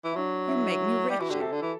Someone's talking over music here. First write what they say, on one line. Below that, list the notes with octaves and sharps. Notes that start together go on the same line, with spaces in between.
You make me wretched.
E3
E4
F#3 D4
E4
G3
E3 F#4
D3 G4
C3 A4
D3
E3